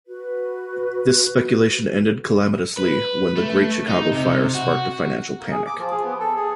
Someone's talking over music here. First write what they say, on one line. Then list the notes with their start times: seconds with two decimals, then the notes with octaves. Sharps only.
This speculation ended calamitously when the Great Chicago Fire sparked a financial panic.
0.07 F#4 B4
2.77 B4
3.37 A3
3.88 D#4
4.13 C3
4.55 F#4
5.39 A#3
5.51 G#4
5.66 D6
5.79 F3
5.91 G#4
6.04 B3
6.20 A4
6.36 G#4